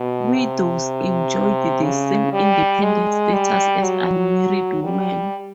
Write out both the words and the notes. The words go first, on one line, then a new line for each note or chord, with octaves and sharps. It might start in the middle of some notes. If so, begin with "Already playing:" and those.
Widows enjoyed the same independent status as unmarried women.
Already playing: B2
C3
C#3
G3
G#3
G3
F#3
G3